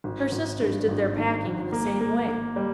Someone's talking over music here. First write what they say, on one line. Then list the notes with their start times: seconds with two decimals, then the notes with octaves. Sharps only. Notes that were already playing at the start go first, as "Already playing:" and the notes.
Her sisters did their packing in the same way.
0.04 G#1
0.32 G#1
0.60 G2
0.88 G#1
1.16 D#3
1.45 G#1
1.72 A#3
2.01 A#3
2.28 A#3
2.56 G3